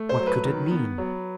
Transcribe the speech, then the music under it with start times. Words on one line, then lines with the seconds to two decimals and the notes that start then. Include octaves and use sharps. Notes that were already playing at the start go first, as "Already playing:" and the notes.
What could it mean?
Already playing: A3
0.09 C5
0.19 F#3
0.27 B4
0.45 D#3
0.71 B3
0.98 F#3